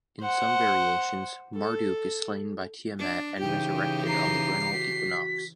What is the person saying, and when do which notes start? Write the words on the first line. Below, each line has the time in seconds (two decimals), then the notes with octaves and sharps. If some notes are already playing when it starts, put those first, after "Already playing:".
In some variations, Marduk is slain by Tiamat and resurrected on the vernal equinox.
0.21 C5 F#5
1.56 A4
2.99 D4
3.41 C#3 E3 D#4 G4 G5
4.08 A#5 C7
4.73 F#4 B6